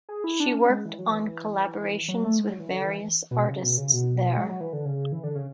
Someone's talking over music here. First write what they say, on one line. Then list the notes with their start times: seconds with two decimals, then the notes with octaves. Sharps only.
She worked on collaborations with various artists there.
0.09 G#4
0.24 E4
0.40 D4
0.55 C#4
0.70 G#3
0.85 E3
0.99 F#3
1.11 E3
2.08 F#3
2.24 A3
2.39 G#3
2.49 F#3
2.60 E3
2.70 D3
2.85 E3
3.31 B2
3.47 C#3
3.62 B2
3.77 C#3
3.93 B2
4.37 G#3
4.49 F#3
4.61 E3
4.73 D3
4.85 C#3
5.12 E3
5.23 D3
5.35 C#3